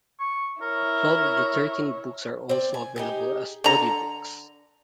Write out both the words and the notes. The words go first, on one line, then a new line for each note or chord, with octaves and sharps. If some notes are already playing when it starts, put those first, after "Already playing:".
Twelve of the thirteen books are also available as audiobooks.
C#6
E4 A#4 C#5
C4 D5
G#5
D#4 G4 G#4
D3 A#5